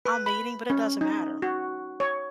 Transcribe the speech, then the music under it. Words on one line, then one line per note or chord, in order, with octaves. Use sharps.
I'm meeting, but it doesn't matter.
B4
B5
C#4
D#4
F#4
C#5